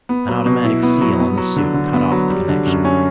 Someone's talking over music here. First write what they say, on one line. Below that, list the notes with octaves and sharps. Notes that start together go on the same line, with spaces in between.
An automatic seal on the suit cut off the connection.
B3
F#3
B2
E4
B3
F#3
B3
F#3
D3
D3
B3
F#3
G3
D3
F#2
C#4